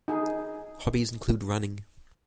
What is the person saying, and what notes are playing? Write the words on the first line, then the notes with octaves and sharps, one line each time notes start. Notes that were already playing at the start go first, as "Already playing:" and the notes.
Hobbies include running.
D#4 G#4